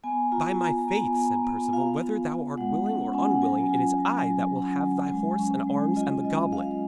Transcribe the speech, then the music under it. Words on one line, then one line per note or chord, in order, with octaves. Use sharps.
'By my faith,' said Perceval, 'whether thou art willing or unwilling, it is I that will have thy horse and arms and the goblet.'
B3 G#5
F4 A#5
F4 A#5
A#5
B3 G#5
B3
B3
F4 F5
F4
F4
G#3 F#5
C#4 F#5
C#4 G#5
F#5
F#3 G#5
F4
F#3
F#3
C#4
F#3
G#3 G#5
C#4
G#3
F4 D#5
F4 D#5
F4 F5